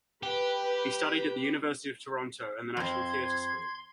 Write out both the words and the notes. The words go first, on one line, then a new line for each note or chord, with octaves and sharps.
He studied at the University of Toronto, and the National Theatre School.
G4 B4
F2 C4 C6 G#6